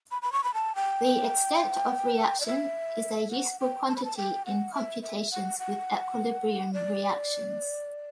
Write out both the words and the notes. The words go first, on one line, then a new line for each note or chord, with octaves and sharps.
The extent of reaction is a useful quantity in computations with equilibrium reactions.
B5
B5
C#6
B5
A5
G5
D5
E5
F#5
G5
A5
B5
A5
G5
F#5
E5
E5
F#5
F#5
D5